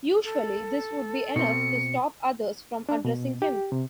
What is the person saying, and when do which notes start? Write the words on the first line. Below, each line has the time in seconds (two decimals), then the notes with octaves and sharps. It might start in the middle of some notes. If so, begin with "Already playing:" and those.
Usually this would be enough to stop others from addressing him.
0.24 A4
1.36 B2 C4 C#7
2.89 D4
3.05 B2
3.42 G4
3.72 C3